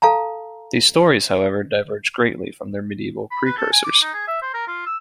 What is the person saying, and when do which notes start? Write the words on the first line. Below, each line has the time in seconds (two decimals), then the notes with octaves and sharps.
These stories, however, diverged greatly from their medieval precursors.
0.02 A4 F5 A5 A#5
3.31 B5
3.45 B4
3.57 A4
3.71 G#5
3.84 D6
4.02 D#4
4.14 G#4
4.27 E5
4.42 C5
4.54 A#4
4.67 F4
4.86 E6